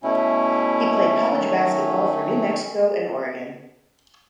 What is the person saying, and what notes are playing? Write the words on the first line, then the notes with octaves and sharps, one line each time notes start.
He played college basketball for New Mexico and Oregon.
B2 A3 C#4 E4
D#3 F#3 A3 C#4